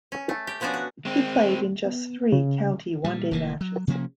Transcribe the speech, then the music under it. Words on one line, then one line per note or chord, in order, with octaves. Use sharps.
He played in just three county one day matches.
C#4
A3
G4
B2 F3 B3 C#4 D4 F#4
F#4
G#3 C4
B3
C#3
A#2 G3
F1 E3 A#3
F#3
C3 F3 A#3 C#4